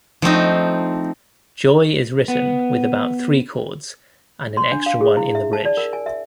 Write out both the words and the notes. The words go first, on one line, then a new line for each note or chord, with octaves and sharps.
"Joy" is written with about three chords, and an extra one in the bridge.
F3 A3 C4 D#4
B3
C6
D4
F5
G#4
E4
E5
A5
D5
A#4
G#5
E5